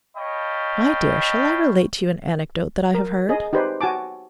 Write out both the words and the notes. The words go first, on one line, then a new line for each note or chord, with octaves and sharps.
"My dear, shall I relate to you an anecdote that I have heard?"
C#5 D#5 F5 G5 A5 B5
A#4
G#4 D#5
D#4 G4 B4 C5 D5
F#4 G#5 A5 D6